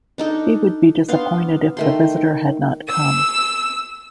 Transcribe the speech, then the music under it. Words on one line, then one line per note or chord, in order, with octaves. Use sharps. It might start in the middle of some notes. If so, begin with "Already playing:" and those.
He would be disappointed if the visitor had not come.
D4 D#4 A4
B3 D4 F5 C6
D#3 A3 C6
E6